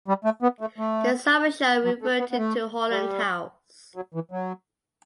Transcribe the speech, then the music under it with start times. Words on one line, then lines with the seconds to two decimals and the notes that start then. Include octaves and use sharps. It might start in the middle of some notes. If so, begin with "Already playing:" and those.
The Summer Show reverted to Holland House.
0.08 G3
0.25 A3
0.43 B3
0.61 A3
0.78 A3
1.84 F#3
2.02 A3
2.19 B3
2.31 B3
2.38 A3
2.90 G3
3.96 F#3
4.14 E3
4.31 F#3